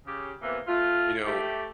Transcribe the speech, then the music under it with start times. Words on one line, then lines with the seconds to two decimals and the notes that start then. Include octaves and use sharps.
You know
0.06 C#3 G4
0.42 C3 E3 A#3 B3
0.68 A3 F4
1.25 A3 G4